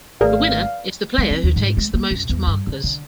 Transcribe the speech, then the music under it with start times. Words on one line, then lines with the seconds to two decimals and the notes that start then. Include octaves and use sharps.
The winner is the player who takes the most markers.
0.21 G#1 A3 G#4 A#4 B4 D5 F5
1.18 G#3
1.31 C4
1.44 D#2
1.56 G#2
1.77 G#3
1.94 A#3
2.11 F#2
2.29 E2
2.47 G2
2.67 D3
2.84 D3